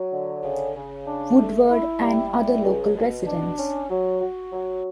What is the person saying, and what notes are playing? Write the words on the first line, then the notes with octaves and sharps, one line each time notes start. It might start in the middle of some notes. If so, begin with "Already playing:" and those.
Woodward, and other local residents.
Already playing: F#3
D3
C#3
C#3
D4
A3
E4
G3
E4
C#2
B2
D4
C#4
F#3
F#4
F#3